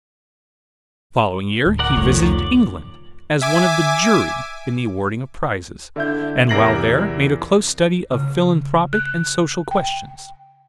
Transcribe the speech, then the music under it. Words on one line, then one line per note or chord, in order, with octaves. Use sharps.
The following year he visited England as one of the "jury" in the awarding of prizes; and while there made a close study of philanthropic and social questions.
D1
A#4 D5 F#5
F1 C#2 D#3 F3 A3 C#5
D5
E5 G#5 D6
D3 E4 G6
E2 C3 A#4 A#6 C7 F#7
C#3
F#6
G5